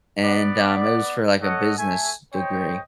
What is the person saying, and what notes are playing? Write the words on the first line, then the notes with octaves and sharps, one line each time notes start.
and, um, it was for like a business degree,
B3 D5
A4 C#5 D#5 F#5
A3 G#5
C5 C#5 D#5 G5